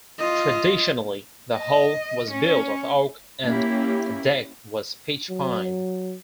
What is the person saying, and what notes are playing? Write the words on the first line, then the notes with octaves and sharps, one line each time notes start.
Traditionally, the hull was built of oak and the deck was pitch pine.
F4 D#5
D#5
C#4
A#3 C#4 E4 G4
F#3